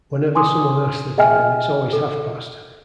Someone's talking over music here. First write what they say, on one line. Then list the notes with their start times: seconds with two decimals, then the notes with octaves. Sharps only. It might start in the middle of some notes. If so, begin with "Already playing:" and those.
Whenever someone asks the time it's always half-past.
0.35 G#5 C6 D6 D#6
1.18 G#4 D#5 E5 G5 G#5 F6
1.93 A4